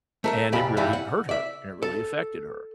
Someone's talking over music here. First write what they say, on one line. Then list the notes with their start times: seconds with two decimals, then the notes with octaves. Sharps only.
and it really hurt her, and it really affected her,
0.24 A3 A#4 E5
0.52 C2 F2 A#2 G4 B5
0.77 G2 E3 G3
0.93 F#5
1.29 D5 E5
1.82 A4